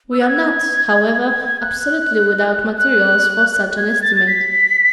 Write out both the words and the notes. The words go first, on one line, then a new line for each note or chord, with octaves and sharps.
We are not however absolutely without materials for such an estimate.
E6
F#6
G#6
G#6
G#6
F#6
F#6
G#6
A6
A6
B6